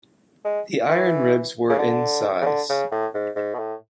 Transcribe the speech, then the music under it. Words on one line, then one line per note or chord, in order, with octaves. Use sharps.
The iron ribs were in size.
G#3
E3
C#3
D3
C#3
D3
C#3
A2
G#2
G#2
B2
A2